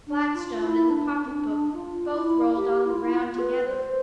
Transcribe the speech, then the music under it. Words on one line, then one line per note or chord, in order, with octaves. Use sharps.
Blackstone and the pocket-book both rolled on the ground together.
D4
F4
E4
D4
C4
D4
F4
E4
G4
E4
F4
E4
F4
B4
C5